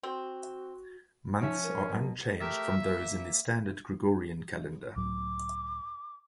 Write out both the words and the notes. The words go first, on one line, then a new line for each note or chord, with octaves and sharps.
Months are unchanged from those in the standard Gregorian calendar.
C4 F#4
F3 C#4 D#4 E5
A#4
B2 F#3
A3 G4 A#4 E5
A#3
C#2 A2 F#3 D6